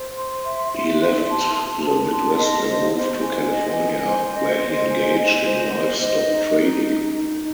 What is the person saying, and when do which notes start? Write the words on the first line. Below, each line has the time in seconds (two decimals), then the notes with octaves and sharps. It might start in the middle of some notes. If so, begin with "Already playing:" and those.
He left the Midwest and moved to California where he engaged in livestock trading.
Already playing: C5
0.17 C6
0.45 E5
0.73 E5
1.01 C6
1.28 A5
1.56 A5
1.84 A5
2.11 C6
2.39 D#5
2.66 C5
2.95 C5
3.22 G#5
3.50 D#5
3.78 G#5
4.06 C5
4.34 D#5
4.62 C5
4.89 G#5
5.17 D#5
5.45 C5
5.72 D#5
6.01 D#5
6.29 D#4
6.56 D#4
6.83 D#4
7.11 D#4